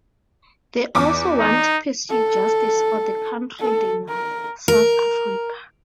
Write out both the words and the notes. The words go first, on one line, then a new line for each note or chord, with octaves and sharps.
They also want to pursue justice for the country they love, South Africa.
E2 D6
D#4
A4
A4
A#4
A#4